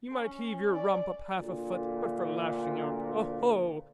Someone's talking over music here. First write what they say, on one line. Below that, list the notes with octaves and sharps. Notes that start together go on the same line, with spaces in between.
You might heave your rump up half a foot, but for lashing out--oho!
C#4
D5
D2 A#2